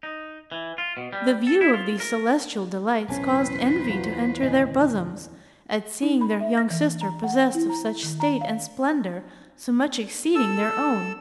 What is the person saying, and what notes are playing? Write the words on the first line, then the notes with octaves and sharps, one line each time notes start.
The view of these celestial delights caused envy to enter their bosoms, at seeing their young sister possessed of such state and splendor, so much exceeding their own.
D#4
E3
F4
B2
G3
A4
E4
F4
A#4
B1 E2 A2 C#4 B4 C5 G#5 A5
F#3 F4 F#4
D2 A#2 D#3 D#5 G#5
D#4
B5
E5
A#6
E3
A#5
F#5
E4
A#5
D#3
A#5
F5
A4 E6